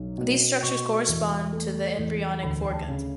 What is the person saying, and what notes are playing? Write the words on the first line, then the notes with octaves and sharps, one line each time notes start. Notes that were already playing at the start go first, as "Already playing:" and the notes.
These structures correspond to the embryonic foregut.
Already playing: B1
B2
B2 C#6
E2
A3
E2
D2 B5
G5
A5
C#3